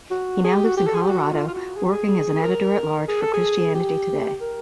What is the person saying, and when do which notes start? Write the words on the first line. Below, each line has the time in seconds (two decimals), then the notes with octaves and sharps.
He now lives in Colorado, working as an editor-at-large for "Christianity Today".
0.11 F#4
0.44 G#4
0.55 G4
0.66 F#4
0.77 G4
0.87 A4
0.94 G#4
1.02 G4
1.10 F#4
1.33 F4
1.48 F4
1.54 F#4
1.76 G#4
1.85 G4
1.93 G#4
2.42 A#4
3.08 G#4
3.21 A4
3.34 G#4
3.75 G4
4.41 A#4